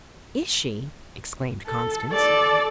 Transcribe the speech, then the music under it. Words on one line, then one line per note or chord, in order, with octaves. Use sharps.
"Is she?" exclaimed Constance.
A4
A4 D5